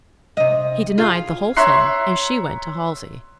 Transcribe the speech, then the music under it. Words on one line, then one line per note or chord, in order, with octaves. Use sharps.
He denied the whole thing, and she went to Halsey.
C3 D#5
F4 G#4
C#5 E5 A#5 C6 F#6 C7